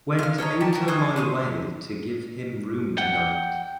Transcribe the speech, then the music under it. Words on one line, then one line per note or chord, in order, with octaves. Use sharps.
Went outta my way to give him room tonight.
F5 F6
C#5 D#5 A5 A#5
G4 A5
F#4 A#4
F4 G#4 D#5 C#6
C5 C#6 D#6
F#5 G5